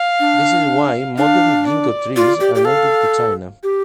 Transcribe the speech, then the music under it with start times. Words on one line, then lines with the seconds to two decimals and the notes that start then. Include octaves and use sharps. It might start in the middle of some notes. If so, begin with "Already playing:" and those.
This is why modern "Ginkgo" trees are native to China.
Already playing: F5
0.20 D4
1.18 D4 F5
1.67 D5
2.16 F4 D5
2.40 G4
2.55 G4
2.65 A4 F5
3.63 G4